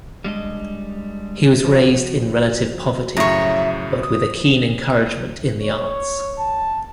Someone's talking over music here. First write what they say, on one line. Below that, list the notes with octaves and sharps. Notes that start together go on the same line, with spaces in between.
He was raised in relative poverty, but with a keen encouragement in the arts.
G3 G#3 D4 D#5
F3 F#4
F#2 A2 C#3 C#5 E5 A#5
D#6
C#5
A5